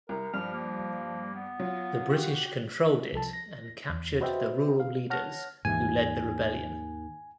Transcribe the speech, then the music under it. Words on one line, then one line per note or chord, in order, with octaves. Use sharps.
The British controlled it and captured the rural leaders who led the rebellion.
C2 A#4
G2 F3 F6
A#3
B3
F#3 F4
F#4 G4
C2 F3 A4 A5
A#6
E2
F#4 B4 C5 D#5 E5 G5
F5
C#5 F#5 A5 F6 A#6
D#2 G#2 E3 G#5